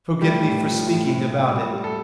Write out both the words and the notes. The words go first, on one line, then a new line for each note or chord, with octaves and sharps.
Forgive me for speaking about it.
G3 A3 G4
A2
F3
A2
A2
A2
G3
G3
A4